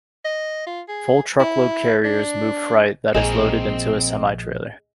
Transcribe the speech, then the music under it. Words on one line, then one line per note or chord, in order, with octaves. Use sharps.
Full truckload carriers move freight that is loaded into a semi-trailer.
D#5
F4
G#4
E4
D4
A#1 C4 G#4 A#4 D#5